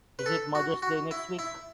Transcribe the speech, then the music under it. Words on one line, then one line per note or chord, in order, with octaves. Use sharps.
Is it Mother’s Day next week?
B4
A4
F#4
F#4
E4
E4